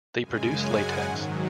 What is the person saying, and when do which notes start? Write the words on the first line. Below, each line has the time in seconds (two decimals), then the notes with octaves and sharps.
They produce latex.
0.23 F#2 C#3 G#3 G#5
0.63 F#5
1.03 G#2 D#3 F#3